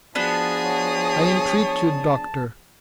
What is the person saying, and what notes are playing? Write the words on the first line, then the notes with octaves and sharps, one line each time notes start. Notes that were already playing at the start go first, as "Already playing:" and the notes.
"I entreat you, doctor!"
F3 B3 D4 F#4 G#4 A5 D#6
C#5